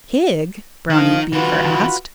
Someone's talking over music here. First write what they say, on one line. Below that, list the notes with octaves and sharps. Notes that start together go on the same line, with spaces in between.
"Pig?" Brownie Beaver asked.
D#3 F3 D#4 F5
D3 E3 F4 F#4 B4